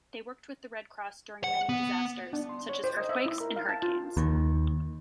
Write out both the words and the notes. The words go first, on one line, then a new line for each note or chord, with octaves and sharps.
They worked with the Red Cross during many disasters, such as earthquakes and hurricanes.
F#5
B3
D4
C6
C#5
C5
D#5
E5
E4
A#4
F5
A5
F4
D#2